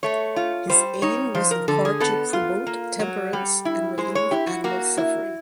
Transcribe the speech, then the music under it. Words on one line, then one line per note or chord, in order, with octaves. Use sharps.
His aim was in part to "promote temperance and relieve animal suffering".
A3 C#5
F4
G3 C5
D#4 C#5
F3 C5
A#4
D3 A4
G#4
B3 A4
F4
A#3
F#3
G3
E4
G#3 C5
C#5
E4 G4
F#4
A#3 F#4
E4